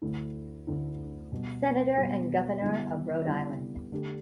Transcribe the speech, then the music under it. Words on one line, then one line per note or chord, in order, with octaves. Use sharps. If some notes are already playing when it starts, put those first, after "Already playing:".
Senator and Governor of Rhode Island.
D2 D3 A3 E4
D2 D3 A3 E4
B2 G3 B3
B2 G3 B3
D3 G3 B3 E4
D3 G3 B3 E4
D3 A3 D4 G4